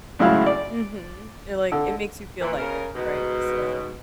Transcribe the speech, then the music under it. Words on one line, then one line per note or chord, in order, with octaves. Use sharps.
Mhm, it, like, it makes you feel lighter, right? So
G#1 A2 C#3 F#3 E4 F5
D5
D3
A#2 E3
C#3 A#4
G#2 B2